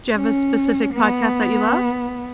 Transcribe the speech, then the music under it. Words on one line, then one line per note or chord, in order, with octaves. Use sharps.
Do you have a specific podcast that you love?
C#4
B3